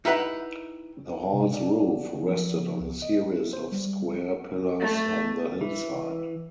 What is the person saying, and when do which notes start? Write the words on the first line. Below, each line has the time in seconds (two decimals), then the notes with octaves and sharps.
The hall's roof rested on a series of square pillars on the hillside.
0.05 D#4 E4 G4 B4 E5 F#5
1.33 C3
1.54 D5
2.23 F3
2.80 C#2
3.02 D#5
3.33 E4
3.53 C5
3.72 G3
4.80 A3
5.61 E3